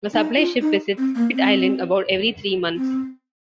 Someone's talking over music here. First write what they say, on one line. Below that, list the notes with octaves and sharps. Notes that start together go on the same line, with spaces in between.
A supply ship visits Pitt Island about every three months.
D#4
F4
D#4
C4
A#3
C4
C4